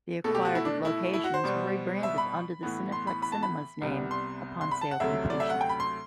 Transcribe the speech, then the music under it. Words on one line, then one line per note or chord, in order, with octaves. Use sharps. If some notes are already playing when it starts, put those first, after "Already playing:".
The acquired locations were rebranded under the Cineplex Cinemas name upon sale completion.
B2 A3 A4
G4
F#4
E4
D4
E4
E4
F#4
C5
B2 G3 B3
E5
B5
A2 E3 B3
C6
B5
B5
A5
B5
C2 C3 G3 B3
C6
C6
B5
A5
F#5
D2 C3 F#3 A3 E5
D5
E5
F#5
G5
B5
C6